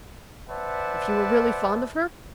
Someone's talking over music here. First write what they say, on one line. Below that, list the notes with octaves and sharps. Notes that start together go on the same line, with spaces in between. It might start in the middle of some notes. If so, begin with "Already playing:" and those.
"If you were really fond of her?"
B4 C5 D5 E5 F#5 A5